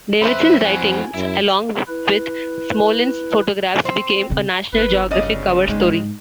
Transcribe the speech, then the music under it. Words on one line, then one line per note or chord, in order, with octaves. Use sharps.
Davidson's writings along with Smolan's photographs became a National Geographic cover story.
F2 B4 C5 E5 B5
E4 F#4 G#5
F#2 E4
E4 B4
C4
C#3 C4
G1 B4
A2 C#3 D5 D#5
G#2 G#3 C4